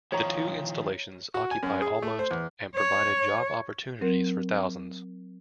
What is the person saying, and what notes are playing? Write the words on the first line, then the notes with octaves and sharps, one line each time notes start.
The two installations occupied almost and provided job opportunities for thousands.
D#3 F3 C#5 A#5
F#4
G#5
F#2
G#4
A3
C5
E2
C#5
F#3 C4 A#4